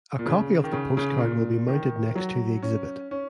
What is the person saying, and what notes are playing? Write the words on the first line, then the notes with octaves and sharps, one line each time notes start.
A copy of the postcard will be mounted next to the exhibit.
A#2
C#3
D#3
C#3
C#3
A#2
D#3
F#3
C#4
C#4